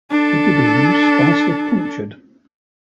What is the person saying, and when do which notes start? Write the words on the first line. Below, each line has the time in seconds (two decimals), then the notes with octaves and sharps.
Pygidium sparsely punctured.
0.11 D4 A4